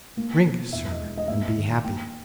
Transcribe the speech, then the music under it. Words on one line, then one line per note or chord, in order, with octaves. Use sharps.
Drink, sir, and be happy!
A#3
B2
E2 E5
D#5
G#3
D#5
A#3 E5
D#3
A#3 G5